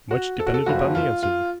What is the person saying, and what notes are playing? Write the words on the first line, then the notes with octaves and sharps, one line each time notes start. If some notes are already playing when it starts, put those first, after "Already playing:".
Much depended upon the answer.
F#4
A4
F#4
A4
F#1 F2 C#3 F#4
F4
F4